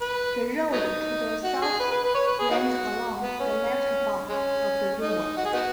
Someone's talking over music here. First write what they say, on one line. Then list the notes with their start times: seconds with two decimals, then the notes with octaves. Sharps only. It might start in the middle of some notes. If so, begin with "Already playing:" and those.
The road to the south runs along the left bank of the river.
0.01 B4
0.72 F#3 B3 D#4
1.43 F#4
1.62 G#4
1.79 B4
1.91 B4
2.03 B4
2.15 C#5
2.27 B4
2.39 G#4
2.50 B3 D#4 F#4
3.23 B3
3.40 C#4
4.29 G#3 C#4
5.01 D#4
5.37 F#4
5.45 G#4
5.53 B3 D#4 F#4